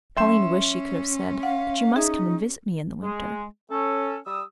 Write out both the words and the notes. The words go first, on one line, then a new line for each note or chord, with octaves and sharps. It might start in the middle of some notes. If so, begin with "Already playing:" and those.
Pauline wished she could have said: But you must come and visit me in the winter.
F#3 C#4 E5 G5 C6 G6 E7
F5 F#5
D#4 G#4 E5
G#3
C#4 A4
G3 D#6 E6